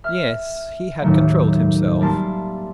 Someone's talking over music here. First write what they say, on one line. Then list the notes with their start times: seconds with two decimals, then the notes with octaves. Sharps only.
Yes, he had controlled himself.
0.04 E5 F6
1.01 D#2 A2 D#3 F#3 A3
2.01 G3 A#3 E4 A5 C6